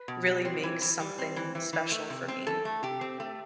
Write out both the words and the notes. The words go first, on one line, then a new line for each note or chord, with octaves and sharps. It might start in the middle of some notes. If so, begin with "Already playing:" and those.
really makes something special for me.
Already playing: B4
B2
G3
C4
E3
E3
G3
C4
E3
E3
E3
A3
C3
C4
E3 A4
A3
C3 G4
C4
A3